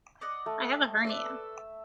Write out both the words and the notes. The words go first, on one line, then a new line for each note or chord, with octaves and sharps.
I have a hernia.
D5 D#5 F#5
A3
A4 B4 D5 E5